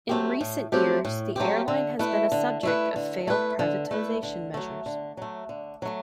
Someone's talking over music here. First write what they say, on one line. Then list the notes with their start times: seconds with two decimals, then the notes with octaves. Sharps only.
In recent years the airline has been a subject of failed privatisation measures.
0.09 F#3 A3 C4 G4
0.41 A2
0.72 F#3 A3 C4 G4
1.05 A2
1.36 F#3 A3 C4 G4
1.68 D3
1.99 A3 E4 B4
2.32 D3
2.63 A3 E4 B4
2.96 D3
3.27 A3 E4 B4
3.59 D3
3.91 A3 E4 B4
4.23 D3
4.54 F#3 A3
4.86 D3
5.17 F#3 A3
5.49 D3
5.82 F#3 A3